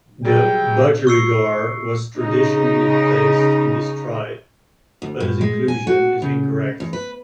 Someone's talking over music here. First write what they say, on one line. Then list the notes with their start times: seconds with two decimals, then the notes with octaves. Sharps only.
The budgerigar was traditionally placed in this tribe, but this inclusion is incorrect.
0.25 F#3 G3 G#4 G5 A6
1.07 C#6 E6 C7 C#7
2.17 C#3 D#4
5.02 D2
5.20 G2
5.41 G#3
5.68 G#5
5.87 F#4
6.22 C#3
6.80 E2
6.93 B4